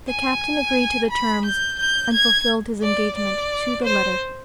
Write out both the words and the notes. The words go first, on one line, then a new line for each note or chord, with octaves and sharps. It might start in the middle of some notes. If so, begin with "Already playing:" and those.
The captain agreed to the terms and fulfilled his engagement to the letter.
G#5
B5
G6
G6
G#6
D5
D5
C5